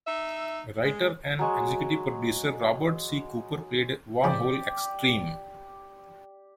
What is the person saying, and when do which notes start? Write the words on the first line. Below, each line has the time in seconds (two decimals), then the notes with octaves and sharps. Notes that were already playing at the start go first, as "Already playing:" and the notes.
Writer and executive producer Robert C. Cooper played a Wormhole X-Treme!
0.06 D#4 E5
0.83 G#3
1.39 F#3 G#3 C#6
4.24 F2 G#2 C#3 G4 D5